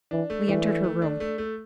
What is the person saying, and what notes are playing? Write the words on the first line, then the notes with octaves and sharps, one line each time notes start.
We entered her room.
E3 D4
A3
E3 D4
A3
A3
D4
A3
A3